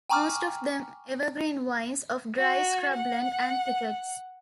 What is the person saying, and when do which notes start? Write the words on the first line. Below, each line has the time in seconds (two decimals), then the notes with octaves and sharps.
Most of them evergreen vines of dry scrubland and thickets.
0.10 G5 G#5 A#5 C#6 D6 F6
2.37 F#4
2.93 F#5